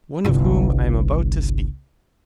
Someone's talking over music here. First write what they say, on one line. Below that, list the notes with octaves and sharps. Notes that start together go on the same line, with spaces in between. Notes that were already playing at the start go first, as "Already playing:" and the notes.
One of whom I am about to speak.
G1 C2